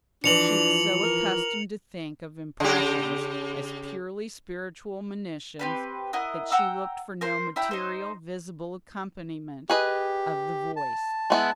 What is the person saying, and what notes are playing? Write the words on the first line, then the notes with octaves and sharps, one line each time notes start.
She was so accustomed to think of impressions as purely spiritual monitions that she looked for no material visible accompaniment of the voice.
E3 F3 D4 C#7 F7 F#7
A#4
C#3 G4
C4 G4 B4
E4 A#4 D#5 F#5
F#5 G5 A#5 E6
A#4 C5 C6
E4 E5 G5 A#5
D#4 C5
G4 G#4 B4 D#5
A5
G#3 B3 E4